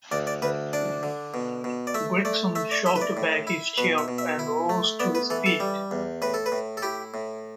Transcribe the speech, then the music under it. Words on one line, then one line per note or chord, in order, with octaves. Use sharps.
Gregson shoved back his chair and rose to his feet.
D2 D5
D5
D2 B4
D4 D5
D3
B2
B2
D5
A3 E5
A3 D5
A3 E5
D5
E4 E5
B4
D5
A2
E4
B2 B4
E5
B2
E5
E4
A3
B3 D5
B4
E3 A4
A4
G3
E2
A2 B4
A4
B4
A2
A4
E4 G4
A2